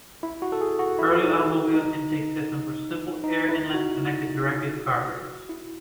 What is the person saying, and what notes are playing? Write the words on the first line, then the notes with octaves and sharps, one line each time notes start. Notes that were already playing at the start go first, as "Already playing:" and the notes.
Early automobile intake systems were simple air inlets connected directly to carburetors.
E4
F#4
A4
G#4
F#4
E4
D#4
D#4
D#4
E4
F#4
E4